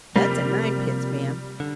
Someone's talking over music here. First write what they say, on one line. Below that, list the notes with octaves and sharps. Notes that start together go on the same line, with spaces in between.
That's a ninepence, ma'am.
C3 F3 G3 A#3
D3